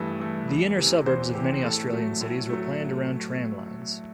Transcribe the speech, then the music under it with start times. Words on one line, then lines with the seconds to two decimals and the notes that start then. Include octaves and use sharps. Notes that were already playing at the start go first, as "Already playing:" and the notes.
The inner suburbs of many Australian cities were planned around tram lines.
Already playing: G2 E3 A3
0.20 E3 A3
0.48 E2
0.77 C3 E3
1.06 E2 C5
1.34 C3 E3 G4
1.63 A2 A4
1.92 F#3 A3
2.21 A2
2.49 F#3 A3